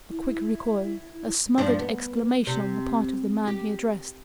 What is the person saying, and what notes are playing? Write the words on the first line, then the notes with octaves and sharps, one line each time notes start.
A quick recoil, a smothered exclamation on the part of the man he addressed.
E4
G2 F3 D4
B3
C3
G4